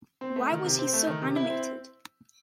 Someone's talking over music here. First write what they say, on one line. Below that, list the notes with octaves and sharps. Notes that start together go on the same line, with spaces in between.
Why was he so animated?
C4
A3
D#3
C3
C4
A3
D#3
C3
E4
C4